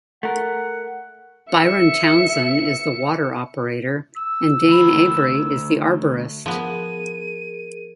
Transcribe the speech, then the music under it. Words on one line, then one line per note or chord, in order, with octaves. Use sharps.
Byron Townsend is the water operator, and Dane Avery is the arborist.
A3 A#4 F#5
E5 C#7
E6
D2 B5
F3 B3 G#4 A#4 D#7